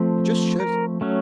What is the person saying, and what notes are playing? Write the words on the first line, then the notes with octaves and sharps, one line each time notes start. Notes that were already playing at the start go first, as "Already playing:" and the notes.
It just shows.
Already playing: F3 A3 C4
A#4
F#3 A3 C#4